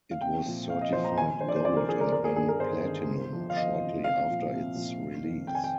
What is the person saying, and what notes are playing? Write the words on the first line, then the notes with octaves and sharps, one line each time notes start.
It was certified Gold and then Platinum shortly after its release.
F5
C2 G5
A#2 F3
C2 F5
D#5
A#2 F3 C5
A#5
D#2 G#5
D3 F3 C5
D5
C5
D#2 D5
A#4
D3 F3 G#4
A#4
G1 A#4
G#4
G2 D#3 G#4
A#4
G1 C5
G2 D#3
G1
F2 C3 F3
F5
G1 D#5
F2 C3 F3
C2 F5
A#2 F3
C2
A#2 F3
F1
F2 D#3
F1 G5
G#5
G5